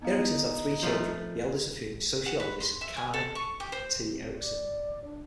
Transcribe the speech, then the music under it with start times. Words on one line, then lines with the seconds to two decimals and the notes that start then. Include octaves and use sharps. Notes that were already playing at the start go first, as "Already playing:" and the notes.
The Eriksons had three children, the eldest of whom is sociologist Kai T. Erikson.
0.02 B3 D#4 F5
0.83 F3 A3 C4
2.26 F#5
2.40 B4
2.60 C6
2.81 E5
2.97 G#5
3.14 A4
3.35 C#6
3.60 G4
3.72 C5
4.11 C4
4.38 D5
5.04 D4